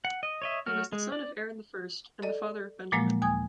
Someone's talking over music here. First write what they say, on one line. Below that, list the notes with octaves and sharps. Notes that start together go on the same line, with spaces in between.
He was the son of Aaron I and the father of Benjamin.
F#5
D#5
C#5 D#5 E5
F#3 A3 F#4 F6
G#3
D5
A4 D5 D#5
A#2 F3 F#3 G#3 A#3
D#2 G#5 D#6 G#6